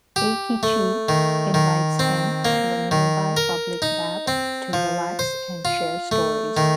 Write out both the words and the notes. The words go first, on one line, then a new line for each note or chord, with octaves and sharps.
Eikichi invites him to a nearby public bath to relax and share stories.
G4
A3
D#3
D#3
C4
A#3
D#3
A#4
D#4
C4
F3
C5
F4
A3
D#3